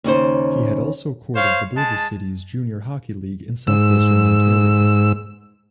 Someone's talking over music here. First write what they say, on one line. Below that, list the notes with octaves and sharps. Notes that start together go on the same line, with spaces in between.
He had also courted the Border Cities Junior Hockey League in Southwestern Ontario.
D#2 C#3 D#4 C5
C5 C#5 F5
G#3 A5
G#2 E6